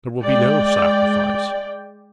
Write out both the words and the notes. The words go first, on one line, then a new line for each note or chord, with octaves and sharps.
There will be no sacrifice.
G#3 D5 G5